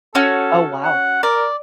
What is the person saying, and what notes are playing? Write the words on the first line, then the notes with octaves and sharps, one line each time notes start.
Oh, wow.
C#4 F#4 A4
F#5
A#4 D5